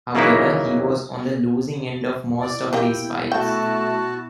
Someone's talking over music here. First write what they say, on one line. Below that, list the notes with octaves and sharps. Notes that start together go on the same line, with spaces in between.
However, he was on the losing end of most of these fights.
C#3 E3 F#3 A#3 D#4 E4
B2 E4 D5
G3 A#3 F4 G5
A3 F#4 G5 A5